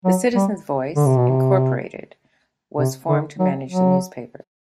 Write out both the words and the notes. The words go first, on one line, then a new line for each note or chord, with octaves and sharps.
The Citizens' Voice, Incorporated was formed to manage the newspaper.
F#3
G3
D3
C3
B2
C3
C3
D3
F#3
F#3